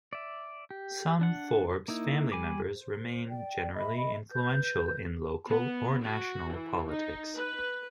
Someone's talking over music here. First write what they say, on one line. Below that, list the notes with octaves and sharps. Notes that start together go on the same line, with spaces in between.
Some Forbes family members remain generally influential in local or national politics.
D5 E5
G4
D4 F#5
A#3 D#4 E4
G3 G#5 B5 D6
C5
D5 G5
D#5 E5 B5
B4 G6
B3
F#4
E3
D#4
B4